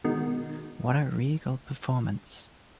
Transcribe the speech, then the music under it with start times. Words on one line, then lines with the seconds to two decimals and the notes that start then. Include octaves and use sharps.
What a regal performance!
0.04 B2 D#3 G#3